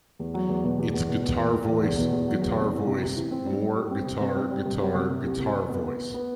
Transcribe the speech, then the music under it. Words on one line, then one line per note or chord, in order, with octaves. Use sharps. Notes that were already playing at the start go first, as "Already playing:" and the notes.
It's guitar-voice, guitar-voice, more guitar-guitar-guitar-voice.
E2
F#3
E2
B2
E2
E2
B2
E2
E2
E2
E2
E2
B2
E2
F#3
E2
C3
E3
C3
C3
E3
C4
G3
G3
G3
C4
C3
C3
C4
G3
C3
G3
C3
C3
C2
C3
C3
B3
B3
B3
B3